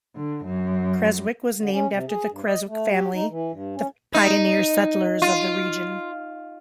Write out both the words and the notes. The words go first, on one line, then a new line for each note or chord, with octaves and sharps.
Creswick was named after the Creswick family, the pioneer settlers of the region.
D3
F#2
D3
C#4
C3
G#4
G2
D#5
A3
G4
D#4
E3
G2
C#4
D#4
F4